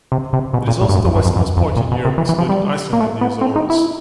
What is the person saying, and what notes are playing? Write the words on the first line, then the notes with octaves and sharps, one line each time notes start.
It is also the westernmost point in Europe excluding Iceland and the Azores.
C3
C3
B2
A#2
A2
G2
F#2
F2
F#2
F2
F#2
F2
A#2
B2
C3
E3
E3
F3
G3
A#3
A3
B3
C4
D#4
E4